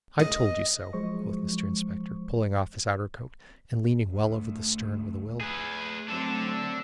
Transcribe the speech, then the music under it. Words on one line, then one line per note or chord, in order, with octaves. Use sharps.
'I told you so,' quoth Mr Inspector, pulling off his outer coat, and leaning well over the stern with a will.
D#5
F3 F#3 G#3 C5 C#6
D2 A3
A3 G#4 B4
F#3 A3 C4 D4 A4